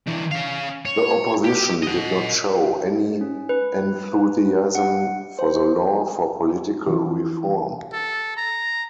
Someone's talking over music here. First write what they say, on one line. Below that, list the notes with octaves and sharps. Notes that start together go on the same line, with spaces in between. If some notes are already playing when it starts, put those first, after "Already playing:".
The opposition did not show any enthusiasm for the Law for Political Reform.
E3 D4
C#4 F5
C#5
G4
D#5 F#5
C#4
B4
F#5
C5
E3
A4
A#5